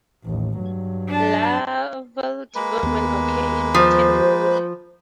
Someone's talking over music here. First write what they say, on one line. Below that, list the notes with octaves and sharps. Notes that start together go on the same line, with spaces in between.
Larval development occur in rotten wood.
A1 D#2
G2 F#3
D4 A5
G#3 A#3 B4
D#2 B3
F3 C5